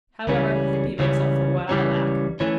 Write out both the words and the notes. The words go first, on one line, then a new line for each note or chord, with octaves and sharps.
However, Hippy makes up for what I lack.
C#2 C#3 E3 G3 C#4
C#2 C#3 E3 G3 C#4
C#2 C#3 E3 G3 C#4
E3 A3 C#4